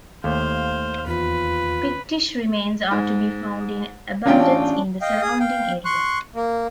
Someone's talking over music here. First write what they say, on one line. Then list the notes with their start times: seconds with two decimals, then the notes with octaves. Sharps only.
Pictish remains are to be found in abundance in the surrounding area.
0.24 D#2 A3 C5 F5
1.07 E2 F4 B4
2.91 G#2
4.26 A1 C#4 D4 F4 G5
5.01 D#5 F5 G5
5.22 G#4 D#6
5.40 F5 G5
5.85 C6 C#6 F#6
6.35 A#3